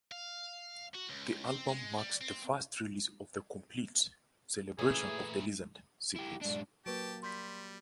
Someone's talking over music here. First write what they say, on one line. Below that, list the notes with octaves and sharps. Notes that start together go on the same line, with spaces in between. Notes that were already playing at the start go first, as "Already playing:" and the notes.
The album marks the first release of the complete "Celebration of the Lizard" sequence.
F5
F#4
C#2
C4
G#3
G3
C4
A#2 E3 A3 E4 G#4 C#5
E4 G4
G#2 D4 D5
F#3 A#3 G4 B4 A5 C#6 D7
G3 C6 G6 B6